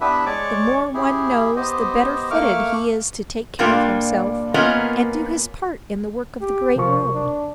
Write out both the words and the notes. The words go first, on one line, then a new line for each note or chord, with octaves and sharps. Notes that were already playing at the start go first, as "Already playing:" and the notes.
The more one knows the better fitted he is to take care of himself and do his part in the work of the Great World.
B3 D4 E4 G4 B4 E5
G#3 C#5 D5 C#6 D6
E4 G4 G#4
B3 G4 C5 D#5
A3 A#3 C#6 D6 F6
A#2 G3 A#3 D4 F4
A#3 B3 C#4 F4 A#4 D#5
G4
C3 F3 A#4 C#6
D4